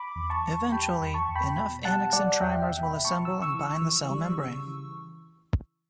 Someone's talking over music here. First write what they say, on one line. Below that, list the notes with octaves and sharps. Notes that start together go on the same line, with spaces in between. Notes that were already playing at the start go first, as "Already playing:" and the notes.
Eventually, enough annexin trimers will assemble and bind the cell membrane.
Already playing: B5 D6
E2
A5 C#6
E2
G3 G5 B5
E2
B5
A5 C#6
E2
G5 B5
B2
G3 F#5 A5
G3 D5 F#5
E2 E5 G5
E5 G5
B2
G5 B5
B2
A5 C#6
E3 E6
C#6 E6
E3
E3
G3
C#3
E3